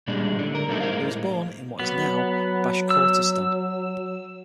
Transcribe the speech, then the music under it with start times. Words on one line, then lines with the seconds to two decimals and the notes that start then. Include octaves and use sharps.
He was born in what is now Bashkortostan.
0.08 A#2 G3 G#3 D4
0.39 D3
0.55 A#4
0.69 F#3 G3 A3 C4 D4 D#4
0.80 A#4 C5 F5
0.92 A2 G#3 A#3
1.80 F#3 B3
2.90 E6